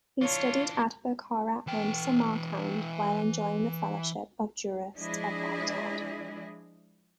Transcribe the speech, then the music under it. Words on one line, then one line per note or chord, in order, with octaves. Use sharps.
He studied at Bukhara and Samarkand while enjoying the fellowship of jurists of Baghdad.
E3 D4 F4 C#5
E3 G5
F3 G#3 D4 E4 G#4 D#5